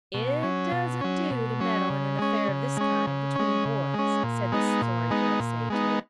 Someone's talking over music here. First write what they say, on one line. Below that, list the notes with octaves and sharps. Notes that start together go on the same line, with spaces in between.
"It doesn't do to meddle in an affair of this kind between boys," said the Story Girl sagely.
B2
F#3 C#4
B2
F#3 C#4
B2
F#3 C#4
C#3
G#3 C#4
C#3
G#3 C#4
C#3
G#3 C#4
C#3
G#3 C#4
A#2
G#3 B3 D#4
A#2
G#3 B3 D#4
A#2
G#3 B3 D#4